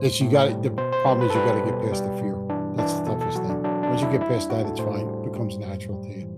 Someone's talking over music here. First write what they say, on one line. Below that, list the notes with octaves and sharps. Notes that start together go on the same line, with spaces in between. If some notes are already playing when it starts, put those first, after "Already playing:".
this you got the problem is you gotta get past the fear; that's the toughest thing. Once you get past that, it's fine, becomes natural to you.
Already playing: A2 G3 C5
A2
G3
B2 C5
C5
G3 B4
B4
A4
G3 B4
B2
G3
G2
E3 D4
E3 D4
B2 A4
A4
F#3 F#4
D4
F#3 D4
D4
E2
E4
G3 E4
D4
A2 F#4
A4
A2 C5
G3
G3
F#2
G3
E3